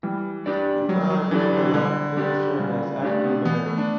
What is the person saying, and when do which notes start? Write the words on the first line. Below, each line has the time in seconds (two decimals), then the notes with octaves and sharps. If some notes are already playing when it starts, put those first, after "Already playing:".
Yvan Berthelot then served as acting mayor.
0.03 E3 G3
0.46 D4 G4 D5
0.88 F#3 G3
1.10 F#3
1.31 E3 D4 G4 D5
1.53 D3
1.74 D3 G3
2.17 D4 G4 D5
2.59 C#3 G3
3.02 A3 D4 G4 D5
3.24 B3
3.45 E3 B3
3.66 A3
3.78 D4